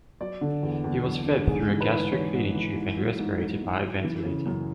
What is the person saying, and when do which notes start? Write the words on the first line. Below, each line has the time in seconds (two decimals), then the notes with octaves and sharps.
He was fed through a gastric feeding tube and respirated by a ventilator.
0.21 F#3 D5
0.41 D3
0.63 E2
0.84 E2
1.06 F#3
1.27 D3
1.48 G#2 G#4
1.69 E3
1.81 B4
1.91 G#2
2.11 E3 C#5
2.34 G#2
2.55 E3
2.76 G#2
2.97 F#3
3.19 G#2
3.39 F#3
3.62 G#2
3.82 F#3
4.04 E3
4.25 C#3
4.46 F#2